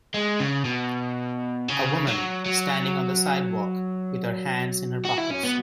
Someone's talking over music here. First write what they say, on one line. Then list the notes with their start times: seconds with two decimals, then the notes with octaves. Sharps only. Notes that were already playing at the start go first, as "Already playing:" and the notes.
A woman standing on the sidewalk with her hands in her pockets.
0.14 G#3
0.40 C#3
0.65 B2
1.68 C#3
2.07 F#3
2.46 F#3
5.05 F#4
5.18 E4
5.30 C#4
5.43 B3